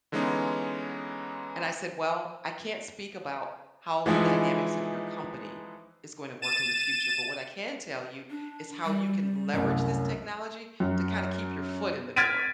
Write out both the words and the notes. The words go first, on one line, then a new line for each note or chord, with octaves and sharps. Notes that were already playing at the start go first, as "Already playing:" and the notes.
and I said, "Well, I can't speak about how the dynamics of your company is going to work in the future, but what I can tell you is how you can leverage this technology to kinda keep your foot in the door,"
D3 E3 G#3 B3 C#4 D#4
E3 F3 G#3 D#4 E4
A6 D#7 E7
D4
G3
C2 F#2 A3
F#2
F6 G#6 A6 B6 D7 D#7